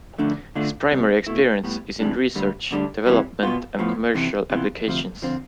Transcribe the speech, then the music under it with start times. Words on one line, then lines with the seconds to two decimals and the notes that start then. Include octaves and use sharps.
His primary experience is in research, development, and commercial applications.
0.18 F2 D3 A3 D4
0.55 D3 A3 D4 F4
0.91 C2 C3 G3
1.26 B2 A3 E4
1.64 A2 G3 B3
1.99 E2 C3 E3 G3 D4
2.35 D2 D3 G3
2.71 D2 D3 G3 D4
3.06 C3 E3 G3
3.43 B2 B3 F4
3.79 A2 F3 B3
4.14 E2 C3 E3
4.50 C3 E3 B3 F4
4.87 D2 C3 F3
5.22 D3 F3 C4 F4